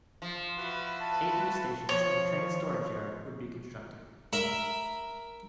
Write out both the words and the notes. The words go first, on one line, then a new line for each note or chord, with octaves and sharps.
Eight new stations and a train storage yard would be constructed.
F3
E4 F#4 B4
A5
F3 C#5
A#4 E5 B5